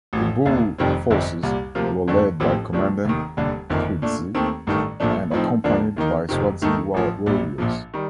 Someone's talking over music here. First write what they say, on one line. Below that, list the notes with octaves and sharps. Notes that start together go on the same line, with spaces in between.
The Boer forces were led by Commandant Coetzee and accompanied by Swazi warriors.
A1 A2 F3
F1 D#2 D3
F1 F2 D#3 G3 C4
G1 F2 C3 G3 C4
C2 A#2 G3
D2 C3 F3 A#3 F4
F2 D3 A3
A1 A2 F3 C4 G4
D2 C3 F3 A3 D4
F1 D#2 D#3
F1 D#2 D3 G3
G1 F2 D#3 A#3
A#2 A3 D4
D#2 D#3 A3 C4
A1 G2 D#3 A3
A#1 A#2 F3 A3 D4
A2 F3 C4 D#4
D#2 D3 F3 A#3 D4
D#2 D#3 A#3 D#4
F1 F2 C3 D#3
D#2 D#3 A3 D#4 A4
A1 A2 F3
A#1 A#2 G3
A#1 A#2 F3
D#3 G3